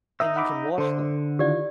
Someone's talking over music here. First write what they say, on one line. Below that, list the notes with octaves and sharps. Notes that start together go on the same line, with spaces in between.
And you can wash them.
D#4 E5 D#6 E6
F#5 B5 D6
D3 A4 C5
D#3 E4 F4 G4 D5